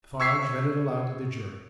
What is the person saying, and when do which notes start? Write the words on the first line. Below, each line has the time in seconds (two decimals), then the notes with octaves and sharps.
Defarge read it aloud to the jury.
0.20 C#6 E6 G#6 B6 C7